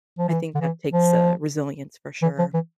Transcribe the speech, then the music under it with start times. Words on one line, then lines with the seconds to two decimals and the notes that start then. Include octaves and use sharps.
I think that takes, uh, resilience for sure.
0.19 F3
0.29 E3
0.55 D3
0.61 E3
0.93 F3
2.22 E3
2.38 F3
2.54 E3